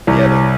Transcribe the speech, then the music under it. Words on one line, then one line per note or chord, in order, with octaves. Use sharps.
Yeah, the
C2